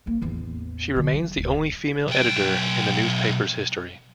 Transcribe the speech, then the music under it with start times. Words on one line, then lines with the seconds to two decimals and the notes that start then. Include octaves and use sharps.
She remains the only female editor in the newspaper's history.
0.06 A1 A#3
0.22 A1 E2
0.96 D3 F#3
1.13 F#3
1.37 D1
2.07 B1 G5